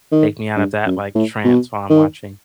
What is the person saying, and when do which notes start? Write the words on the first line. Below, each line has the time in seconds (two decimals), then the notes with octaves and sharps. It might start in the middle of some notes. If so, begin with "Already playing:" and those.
take me out of that, like, trance while I'm watching.
0.12 D#3
0.56 G2
0.86 F#2
1.15 A2
1.45 B2
1.90 D#3